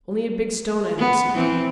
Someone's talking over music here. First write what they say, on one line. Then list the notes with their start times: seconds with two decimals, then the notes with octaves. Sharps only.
Only a big stone I loosened.
0.99 B3
1.35 E3 C4